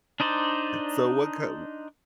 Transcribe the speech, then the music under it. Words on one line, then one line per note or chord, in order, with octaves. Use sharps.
So, what k w
D4 D#4 C5 D5